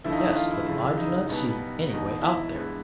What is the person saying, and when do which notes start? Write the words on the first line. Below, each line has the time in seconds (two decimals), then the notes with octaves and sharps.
"Yes, but I do not see any way out there."
0.04 D#2 D3 F3 A3 E4
0.12 D#4
0.19 E4
0.35 F4
0.51 E4
0.66 F#1 F2 C#3
0.97 D#4
1.28 B1 B2 G3 B3
1.90 E1 E2 B2 D#4
2.21 E4
2.53 G2 E3 G#3 B3